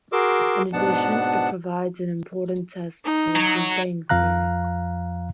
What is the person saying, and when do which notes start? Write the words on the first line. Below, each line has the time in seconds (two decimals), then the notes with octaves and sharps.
In addition, it provides an important test for the Big Bang theory.
0.12 F#4 G#4 A#4 C6 D6 E6
0.73 G#2 B2 B3 D4 F#5 A5
3.05 D#4
3.36 F#3
4.09 F2 F3 F5 A#5 F#6